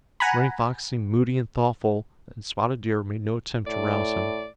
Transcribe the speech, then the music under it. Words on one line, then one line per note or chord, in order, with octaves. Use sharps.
Running Fox seemed moody and thoughtful, and Spotted Deer made no attempt to rouse him.
F#5 G#5 A#5 B5
A2 D5